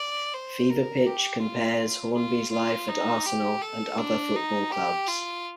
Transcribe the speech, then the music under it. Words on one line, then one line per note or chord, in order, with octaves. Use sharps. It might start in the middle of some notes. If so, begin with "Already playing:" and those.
"Fever Pitch" compares Hornby's life at Arsenal and other football clubs.
Already playing: D5
C5
A#4
G4
F4
F4
F4
D#4
G4
A4
D4
D#4
G4
F4